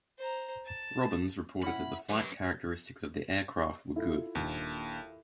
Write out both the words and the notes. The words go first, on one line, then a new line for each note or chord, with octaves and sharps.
Robbins reported that the flight characteristics of the aircraft were good.
C5 A#5
A5
C#4 E4 F#5 B5
F#2 F#3 G4 B4
E4 F4 A4
D#1 D#2 D4